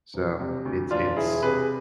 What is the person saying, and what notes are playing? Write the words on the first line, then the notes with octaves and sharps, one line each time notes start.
So, it's it's
E1
C3
D2
E1 D4 F4
E1 E4 G#4
C3 G#4 B4